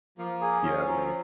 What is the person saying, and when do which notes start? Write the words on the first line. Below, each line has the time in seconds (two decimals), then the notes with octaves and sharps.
You know what I mean?
0.18 F3 A#3
0.41 G#4
0.63 C#4
0.86 F#3